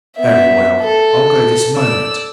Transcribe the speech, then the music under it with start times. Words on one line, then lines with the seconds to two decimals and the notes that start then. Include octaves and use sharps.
Very well, I'll go this moment.
0.17 B3 E5
0.81 A4
1.75 D5 E6